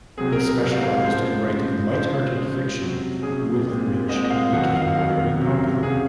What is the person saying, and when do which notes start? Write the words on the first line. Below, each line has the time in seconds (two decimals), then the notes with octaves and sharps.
He specialised in writing light-hearted fiction, with which he became very popular.
0.17 C3 F#3 C4 G#4
0.33 A#4
0.47 A#4
0.61 C3 F#3 C4
0.72 F5
0.83 F5
0.93 D#5
1.04 C#3 F3 G#3 C5
1.48 C#3 F3 G#3
1.92 C#3 F3 G#3 C#4 C5
2.35 C#3 F3 G#3 C#4
2.78 C3 F#3 C#4
3.22 C3 F#3 C#4 G#4
3.66 A#2 G#3 C4
4.09 A#2 G#3 C4 D#5
4.24 D#5
4.31 F5
4.53 F2 D#3 F#3 F#5
4.75 F5
4.96 F2 D#3 F#3 F5
5.40 C3 F#3 C#4
5.83 C3 F#3 C#4 G#4